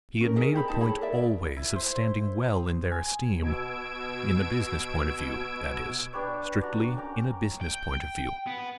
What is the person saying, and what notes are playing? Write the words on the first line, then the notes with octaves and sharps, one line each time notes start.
He had made a point always of standing well in their esteem: in a business point of view, that is; strictly in a business point of view.
C#4 D#4 A#4
G#4 A#4 D#5 E5
G4 C5 B5
D#4 A5
E4 G#4 C#5 B5
A#4 D5 E5
E4
C5
D#6
G#5
B2 E6 G#6 D7
D4 G4 B4 C#5
D4 F#4 A#5
C#4 A#4 G5 D6
G5
B3